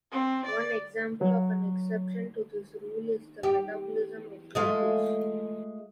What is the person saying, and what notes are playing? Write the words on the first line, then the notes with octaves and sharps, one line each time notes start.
One example of an exception to this "rule" is the metabolism of glucose.
C4
D5
F#3
G4
G#3 A3 F4